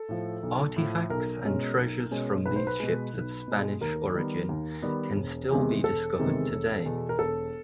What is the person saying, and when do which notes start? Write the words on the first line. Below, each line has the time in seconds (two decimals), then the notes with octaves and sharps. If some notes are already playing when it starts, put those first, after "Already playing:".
Artifacts and treasures from these ships of Spanish origin can still be discovered today.
Already playing: A4
0.09 A2 F3
0.43 B1
0.76 A2 F3
1.10 B1 A#4
1.45 B2 G#3 C#4
1.78 B1
2.11 B2 G#3 C#4
2.45 B1 B4
2.56 C5
2.67 B4
2.80 B2 G#3
3.14 B1
3.48 B2 G#3
3.81 D#2 A#4
4.15 D#3 G3 B3
4.49 D#2
4.82 D#3 G3 B3
5.16 E1
5.51 E2 C3 D#3 G#3
5.84 E1 A4
6.18 E2 C3 D#3 G#3
6.51 E1
6.86 E2 B2
7.09 A#4
7.19 E1 A4